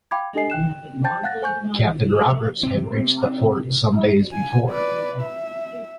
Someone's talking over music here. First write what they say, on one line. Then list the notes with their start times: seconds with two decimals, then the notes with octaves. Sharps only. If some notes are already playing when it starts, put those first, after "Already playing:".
Captain Roberts had reached the fort some days before.
0.11 F5 G5 B5 D6 G#6
0.35 D4 G4 A4 D#5 G#5 C7
0.50 G5 F#6 E7
1.04 C5 G5 A5 G6 A6
1.24 F5 F#5 F#6 A6 A#6
1.42 C5 G#5 C#6 G6
2.63 C3 C4
4.32 G#5
4.70 B4 D5
5.22 E5